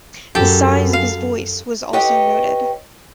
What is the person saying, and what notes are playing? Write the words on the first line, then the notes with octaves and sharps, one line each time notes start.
The size of his voice was also noted.
F#2 G4 A4
F5
G4 B4 C#5 D#5 G5